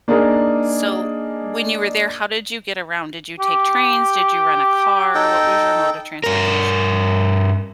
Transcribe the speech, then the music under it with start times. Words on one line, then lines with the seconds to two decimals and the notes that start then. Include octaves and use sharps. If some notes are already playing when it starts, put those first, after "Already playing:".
So, when you were there, how did you get around? Did you take trains? Did you rent a car? What was your mode of transportation?
0.08 A#3 D4 D#4 G#4 A#4
3.40 G4
5.15 D#4 A4 G5
6.24 G2 A#4